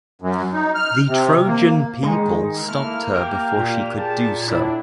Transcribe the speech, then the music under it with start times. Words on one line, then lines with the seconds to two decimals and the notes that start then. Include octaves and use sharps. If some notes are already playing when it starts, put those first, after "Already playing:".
The Trojan people stopped her before she could do so.
0.22 F#2
0.53 D#4
0.75 F6
1.08 C3
1.47 A#3
2.03 D#3 G#3 D#4
2.68 A3 A#3 E4 F6
3.15 G4 A#4
3.56 A#2
3.98 G#4 A5
4.48 A2 D4 E4